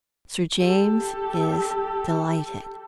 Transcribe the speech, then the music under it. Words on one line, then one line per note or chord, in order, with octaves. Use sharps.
Sir James is delighted.
G4 A4